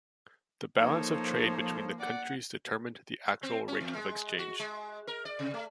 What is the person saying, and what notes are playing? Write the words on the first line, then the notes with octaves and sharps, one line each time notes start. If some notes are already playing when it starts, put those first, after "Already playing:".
The balance of trade between the countries determined the actual rate of exchange.
F3 A#3 D#4 A4 C5 C#5
D5 F#5 D6
C4
C#4
E2
G#3
F#4
G#3
A#4
D5
C3
A3